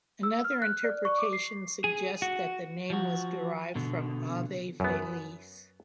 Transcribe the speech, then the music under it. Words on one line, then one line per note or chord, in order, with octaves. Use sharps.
Another interpretation suggests that the name was derived from "ave feliz".
E6
F6
F#6
D5
C#6
D6
C7
G#4
F#4
F3 F#4
B2 D3
F#2 B3